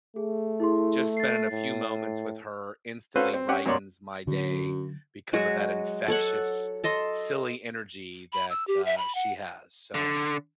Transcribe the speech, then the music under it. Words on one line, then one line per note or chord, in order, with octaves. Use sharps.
just spending a few moments with her instantly brightens my day because of that infectious, silly energy that, uh, she has, so,
A3 G#4
E4 G#4 C6
A6 C7
A2
C#4 F#4 A4 B4 C5 F5
C4
C#4 G4 F#5 G5
F#2 B2 A#3 C#5 D5 C6
F#2 D3 F#3
F#3 G#3 F#4 C#5
A4 C#5 F#5
A4 D#5 C6
B5
E6
G4
E5
B5
F#5
D3